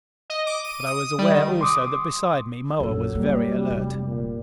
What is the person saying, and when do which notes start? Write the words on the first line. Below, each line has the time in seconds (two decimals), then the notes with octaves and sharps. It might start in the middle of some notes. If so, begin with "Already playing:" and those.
But I was aware also, that beside me Moa was very alert.
0.30 D#5
0.47 D6
0.64 D#7
0.87 D#6
1.18 G3
1.30 D#3
1.61 C6 D6 D#6
2.80 A#1 F#2 F#3 A4
3.15 G3 A#3
3.70 F1 F2
4.07 A#2